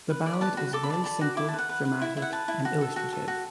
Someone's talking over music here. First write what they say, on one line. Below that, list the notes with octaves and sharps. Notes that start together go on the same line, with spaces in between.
The ballad is very simple, dramatic and illustrative.
B4
D5
B5
B4 A5
F#4 B5
A4 D6
B5
D5 A5
A4 B5
F#4
E4 D6
A5
B4
F#5
B4
B4
E4
E4
F#5
B4 A5
E4
F#4
A4
F#4
A4
F#4